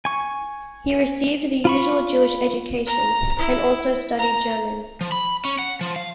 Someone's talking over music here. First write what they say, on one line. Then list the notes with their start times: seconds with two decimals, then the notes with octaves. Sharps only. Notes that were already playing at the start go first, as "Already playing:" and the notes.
He received the usual Jewish education, and also studied German.
0.05 G#5 C#6
1.65 F4 B5 C#6
2.86 A#5
3.38 E4
4.18 A#5
5.01 F3
5.12 B5
5.45 C#4
5.59 F#5
5.81 F3
5.96 F5